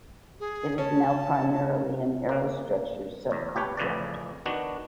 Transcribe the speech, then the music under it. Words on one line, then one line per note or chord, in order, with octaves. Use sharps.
It is now primarily an aerostructures subcontractor.
G#4
C#4 A5
A#3
E2
G4 B4 C#5
A1 F2 C#3 B4 D5
D#3 B3 D4 F#4